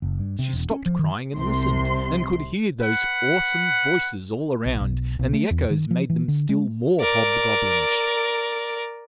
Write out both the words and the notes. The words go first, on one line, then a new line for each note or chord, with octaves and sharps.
She stopped crying and listened, and could hear those awesome voices all around, and the echoes made them still more hobgoblinish.
F#1
G2
C3
E1
C#4
F3
D#3
C2 C3 C6
B4 F#5
B1
B1
B1
A3
E2
D#3
F3
E3
D3
G#3
A#4 D5